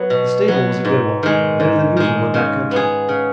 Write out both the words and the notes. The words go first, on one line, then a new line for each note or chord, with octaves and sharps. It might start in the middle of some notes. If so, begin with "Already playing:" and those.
The stable was a good one, better than usual in that country.
Already playing: F#3 B3
B2
F#3 B3
G#2
D#3 G#3
G#2
D#3 G#3
C#3
B3 G#4
C#3